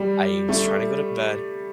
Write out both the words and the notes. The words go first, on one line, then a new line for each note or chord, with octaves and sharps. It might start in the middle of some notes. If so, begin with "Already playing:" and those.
I was trying to go to bed,
Already playing: G3
A3